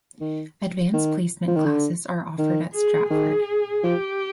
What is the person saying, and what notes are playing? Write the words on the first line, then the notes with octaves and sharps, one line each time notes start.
Advanced Placement classes are offered at Stratford.
D#3
D#3
F3
D#3
D3
D#3
G#4
D#3 G#4
F3 G4